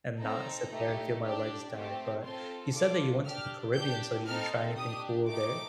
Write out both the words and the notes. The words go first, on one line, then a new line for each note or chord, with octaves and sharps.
and not sit there and feel my legs die, but, you said that you went to the Caribbean, so, did you try anything cool there?
C4 D#4 A4 A#5
A3 D#4 G4
D4 G4
A3 C4 G4
C4 F4 A4 C6
D4 F4 A4 D6
D4 G4 F6
D4 G4 G6
C4 D#4 A4 F6
D4 G4 D#6
A3 D#4 G4 D6